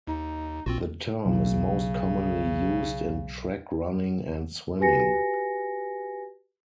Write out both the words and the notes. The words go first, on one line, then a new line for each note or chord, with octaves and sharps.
The term is most commonly used in track running and swimming.
D#2 D#4
A#1 C4 F4 F#4
B1 C#3
F#4 G4 B4 G#5 A#6 C#7